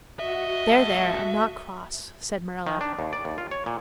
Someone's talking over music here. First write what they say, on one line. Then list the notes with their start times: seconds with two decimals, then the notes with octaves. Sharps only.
"There, there, I'm not cross," said Marilla.
0.19 F#4 D#5 E5
0.67 C#2 A4
2.67 D#3
2.81 D4
2.99 D#2
3.13 D5
3.25 D#2
3.38 F4
3.51 C#5
3.66 A#2